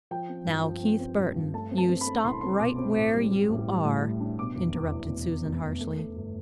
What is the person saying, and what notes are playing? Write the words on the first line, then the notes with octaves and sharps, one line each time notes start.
"Now, Keith Burton, you stop right where you are," interrupted Susan harshly.
F3 G5
C4
G2
F3
C4
C4
G2
G2
A3 A5
C4
A5
C4
B5
A3
C2 C6
B5
C4 C6
B2 D6
C4
A1
G3
G3
A1
G3
A2
G3
D4
B2 D6
F1
E2
E2
F1
F1
F1
F1
A3
A3
G1